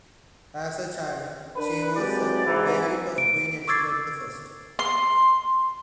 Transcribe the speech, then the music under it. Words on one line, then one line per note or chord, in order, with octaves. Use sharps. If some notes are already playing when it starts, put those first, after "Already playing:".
As a child she was a favourite of Queen Elizabeth the First.
D4 A#4 B4
F#3 G#3 C4 G4 D5
D2 G#2 C3 E3
D7
C#6 D6 E6 G#6 A6 C7
C6